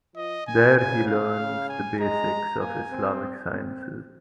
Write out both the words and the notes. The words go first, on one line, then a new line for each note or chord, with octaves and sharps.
There he learns the basics of Islamic sciences.
F3 D#5
D#3 G#5
C#3 G#5
F5
C#3
G#5
G#3 A#5
A#3 G#5
C4
C4